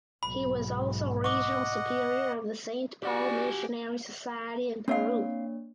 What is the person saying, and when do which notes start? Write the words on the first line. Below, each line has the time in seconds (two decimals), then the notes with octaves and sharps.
He was also regional superior of the St Paul Missionary Society in Peru.
0.23 B1 G#2 B5
1.24 D#5 F#5 C#6 D6
3.03 F#4 G4 D5 F#5 G#5
4.88 A#3 C4 D4 C#5 F5